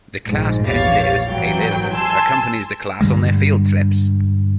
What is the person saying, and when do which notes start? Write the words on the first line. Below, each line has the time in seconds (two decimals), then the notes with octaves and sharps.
The class pet Liz, a lizard, accompanies the class on their field trips.
0.24 A#1 G#2
0.66 A#1 E2 G4 C#5 F5 A6
1.30 G#1 E3 F#3 G5
1.94 G#5 A5 C6 E6
3.01 G2 D3 G3 G#3